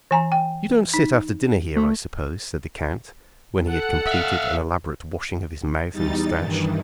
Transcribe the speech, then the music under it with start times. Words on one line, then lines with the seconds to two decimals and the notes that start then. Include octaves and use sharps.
"You don't sit after dinner here, I suppose," said the count, when he had completed an elaborate washing of his mouth and moustache.
0.11 E3 G#5 A#5
0.32 G5
0.94 D#4
1.76 A3
3.67 A4 F#5
4.08 E5 F5
5.92 E2 G3 D#4 A6
6.38 G2 D#3 E3